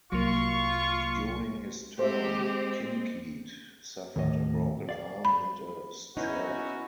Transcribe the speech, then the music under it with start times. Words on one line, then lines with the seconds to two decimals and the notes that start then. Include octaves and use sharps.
During his term, Kinkead suffered a broken arm and a stroke.
0.12 C2 F#3 A#3 F4 C#6
1.99 G#3 C4 G4 C5 E5
4.16 D#2 A2 D#5
4.89 D5 F5
5.25 B5
6.17 B3 C#4 D#4 E4 F#4